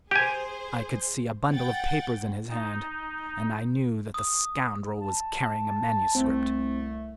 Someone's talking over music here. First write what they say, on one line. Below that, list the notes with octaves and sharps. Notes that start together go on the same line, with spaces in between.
I could see a bundle of papers in his hand, and I knew that the scoundrel was carrying a manuscript.
G4 G#4 C5 G#5
F#5 G5 A6
D#4
D#6
A5
C2 A3 C4